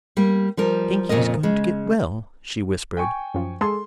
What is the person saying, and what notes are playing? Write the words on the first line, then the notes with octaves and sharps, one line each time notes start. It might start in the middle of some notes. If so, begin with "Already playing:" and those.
"I think he's going to get well," she whispered.
G3 A#3
F3 G3 A#4
F2 A#2 C#3 A#4 D#5
C#3 G#3
G5 G#5 C#6
F#2 F3
G#3 G#4 A4 C6